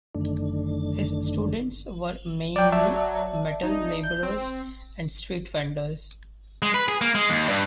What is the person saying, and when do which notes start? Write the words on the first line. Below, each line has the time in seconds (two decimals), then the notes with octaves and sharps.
His students were mainly metal labourers and street vendors.
0.15 F#2 D3 D#3 A3 D4
2.56 F#3 D5 G5
2.72 D5 E5 A5
3.63 D#4
4.03 G6
4.23 C4
6.62 G#3
6.74 B4
6.88 G#4
7.01 A#3
7.15 G#3
7.30 D#2
7.49 G2